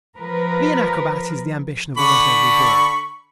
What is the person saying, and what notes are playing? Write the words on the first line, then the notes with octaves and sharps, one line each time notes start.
To be an acrobat is the ambition of almost every boy.
F3 A#4 B4
D3 B5 C#6